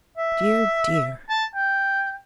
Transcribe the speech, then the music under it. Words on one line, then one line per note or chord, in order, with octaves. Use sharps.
Dear! dear!
E5
A5
G5